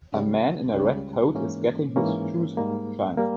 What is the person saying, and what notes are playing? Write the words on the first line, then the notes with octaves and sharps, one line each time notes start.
A man in a red coat is getting his shoes shined.
C#2 C#3 G3
C#2 C#3 G3
G#2 E3 A#3 C#4
G#2 E3 A#3 C#4
G#2 G3 A#3
G3 A#3